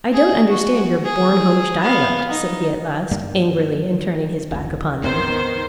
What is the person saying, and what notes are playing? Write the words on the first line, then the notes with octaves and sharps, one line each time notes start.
"I don't understand your Bornholmish dialect," said he at last, angrily, and turning his back upon them.
G#4
F#4
G#4
B3 F5
D#4
G2 G3 A#3
F1 C#2
C#2 G2 D#3 B3 C4 C5